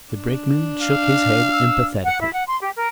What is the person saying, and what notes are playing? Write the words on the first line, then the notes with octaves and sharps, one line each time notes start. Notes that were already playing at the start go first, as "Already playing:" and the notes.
The Brakeman shook his head emphatically.
D4
F5
E6
F#5
E4
F#5
C6
G4
A#4